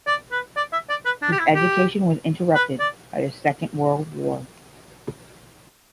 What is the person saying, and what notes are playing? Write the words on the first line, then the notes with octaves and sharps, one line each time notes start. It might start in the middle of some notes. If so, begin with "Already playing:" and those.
His education was interrupted by the Second World War.
D5
B4
D5
E5
D5
B4
D4
G4
E4
G4
B4
D5